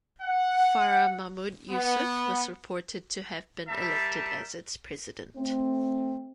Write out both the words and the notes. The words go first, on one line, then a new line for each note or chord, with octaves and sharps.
Farah Mahmud Yusuf was reported to have been elected as its president.
F#5
B3
G3 A#4 E5 A5
A3 C4